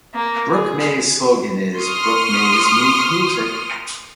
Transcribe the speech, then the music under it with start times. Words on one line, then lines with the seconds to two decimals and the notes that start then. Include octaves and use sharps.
Brook Mays' slogan is "Brook Mays means music".
0.14 A#3
0.51 G#4
1.77 C6 C#6 D#6 F6